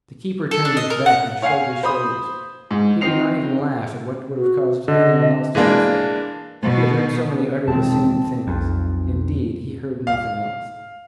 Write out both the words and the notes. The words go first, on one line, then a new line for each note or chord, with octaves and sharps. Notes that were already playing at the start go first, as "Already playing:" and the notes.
The keeper turned his back, and shrugged his shoulders; he did not even laugh at what would have caused any one else to do so; he had heard so many utter the same things,--indeed, he heard nothing else.
A4
D4
D#5
A#4
F#5
C#5 F5 F#5 G#5 C7
C5 B5 D#6
G#2
D#3 C4 D#4 C7 F7
F#4
D3 D#5
E3 G#3 A#3 D4
B2
E1 D#3 C4 A5
B1 F2
F5